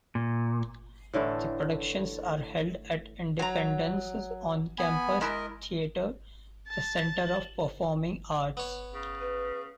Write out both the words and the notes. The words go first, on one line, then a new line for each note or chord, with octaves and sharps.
The productions are held at Independence's on-campus theatre, the Center of Performing Arts.
A#2
A2 D3 E3 A3
F#3 A#5
B3 G#5 B5
G#3 E4 A#4 D#5
A5
B3 C#5
C#3
B4